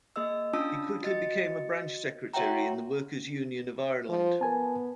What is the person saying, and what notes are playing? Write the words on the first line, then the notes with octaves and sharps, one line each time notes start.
He quickly became a branch secretary in the Workers' Union of Ireland.
A#3 G#4 D#5 E6
C#4 D4 F4 A5 D#6 E6
F#4 D#5 A6 C#7
F#4 C#5 E5 F#5 G5 A#5
F3
B3 A#4 G#5 A5